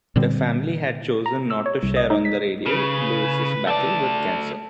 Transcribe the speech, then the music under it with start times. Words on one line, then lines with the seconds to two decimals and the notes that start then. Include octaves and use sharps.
The family had chosen not to share on the radio Lewis' battle with cancer.
0.16 A#2 D3 G3 C4
1.26 A#5
1.50 E6
1.66 C#5
1.83 C2
1.96 D#5
2.10 D#4
2.25 B6
2.66 C#3 B4
3.67 A3 D5 A5